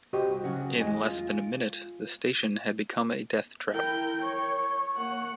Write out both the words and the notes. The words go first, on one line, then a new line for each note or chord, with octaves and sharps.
In less than a minute, the station had become a death trap.
C2 F#4 G4 C5 D#5
C#3 F#3 F#4
E2 G#3 D#5 G#5
F4
E4 A#4 G5
C#5 C#6
A#3 F#5